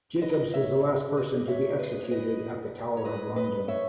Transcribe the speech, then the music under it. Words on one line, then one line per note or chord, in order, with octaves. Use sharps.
Jakobs was the last person to be executed at the Tower of London.
B4 D#5
C#5 E5
B4 D#5
C#5 E5
B4 D#5
C#5
B4 D#5
C#5
B4 D#5
B4 D#5
C#5 E5